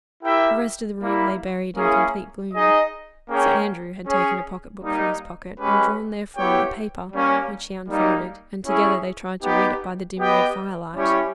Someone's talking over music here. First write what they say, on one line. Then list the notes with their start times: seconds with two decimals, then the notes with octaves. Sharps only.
The rest of the room lay buried in complete gloom; Sir Andrew had taken a pocket-book from his pocket, and drawn therefrom a paper, which he unfolded, and together they tried to read it by the dim red firelight.
0.24 E4 G4 A#4 E5 G5
1.00 G3 A#3 E4
1.76 A#3 C#4 E4 G#4
2.53 D#4 G#4 D#5
3.29 A#3 C#4 G#4 C#5 G5
4.07 C#4 G#4 C#5
4.83 G3 A#3 D#4
5.59 G#3 C#4 G4 B4
6.36 B3 E4 G4 C#5 G5
7.12 G3 A#3 C#4
7.89 G3 A#3 D#4
8.65 C#4 E4 G#4 C#5
9.42 B3 D#4 G4
10.19 B3 G4 B4 D#5 G5
10.95 G3 C#4 E4 G4 C#5